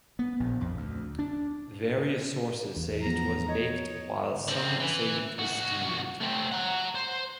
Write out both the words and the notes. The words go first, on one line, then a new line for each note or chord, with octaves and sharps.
Various sources say it was baked while some say steamed.
B3
A#1
F2
D2
D4
E2
F3 B3 A#5
C#5 D#5
D3 C4
E3
C2 F#4
A3 C4
F#5 A#5
C5